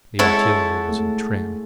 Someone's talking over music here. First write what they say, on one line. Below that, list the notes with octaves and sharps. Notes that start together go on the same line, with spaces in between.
The artillery was in trim.
G#3 E4 A4 C#5 F#5
A3